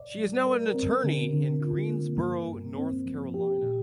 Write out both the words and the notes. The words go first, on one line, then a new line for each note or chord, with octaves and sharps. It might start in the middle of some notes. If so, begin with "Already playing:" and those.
She is now an attorney in Greensboro, North Carolina.
Already playing: D5
G3
A#4
C4
D3
D3
F4
A#3
G2
G2
C4
F3
G4
A#2